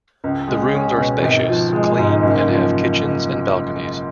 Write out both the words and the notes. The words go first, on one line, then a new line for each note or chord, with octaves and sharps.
The rooms are spacious, clean and have kitchens and balconies.
C#2
G#3
C#4
B2
G#1
F3
G#3
G#2
F#1
F3